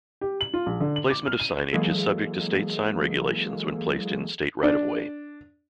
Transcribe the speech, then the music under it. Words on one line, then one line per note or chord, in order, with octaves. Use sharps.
Placement of signage is subject to State sign regulations when placed in State right-of-way.
G4
F#7
F4
A#1
D3
F#7
D6
F6
D#7
E3 F#3 G#3 A#3 G#4 A4
D4